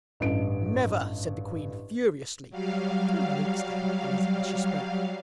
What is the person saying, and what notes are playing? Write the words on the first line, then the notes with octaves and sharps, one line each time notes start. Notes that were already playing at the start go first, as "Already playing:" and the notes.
'Never!' said the Queen furiously, throwing an inkstand at the Lizard as she spoke.
A1 G2 D#5 D7
F#3 G3 F5